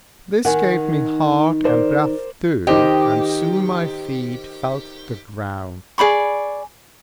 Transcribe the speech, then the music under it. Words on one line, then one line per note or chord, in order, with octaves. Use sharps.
This gave me heart and breath too, and soon my feet felt the ground.
D#3 F#5 G#5
A#4 C5 D5
D#3 G4 C5 D#5
G#4 D5 B5 C#6